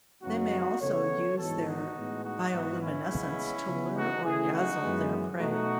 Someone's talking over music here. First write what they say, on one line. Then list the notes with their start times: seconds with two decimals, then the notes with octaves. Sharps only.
They may also use their bioluminescence to lure or dazzle their prey.
0.23 F#2 C#3 G#3 B3 D#4 F#4
0.81 C#3 E3 B3 A4 C#5
1.38 G#2 E3 G#3 B3 F#4 A4
1.66 D#4 F#4
1.95 A2 G#3 B3
2.24 D#4 F#4
2.52 G#2 E3 B3
2.81 C#4 E4
3.10 C#3 G#3 B3
3.67 C#3 E3 B3
3.95 D#4 F#4
4.24 C#3 E3 A3 E4 G#4
4.53 D#4 F#4
4.82 F#2 E3 G#3 B3
5.39 B2 A3 D#4 F#4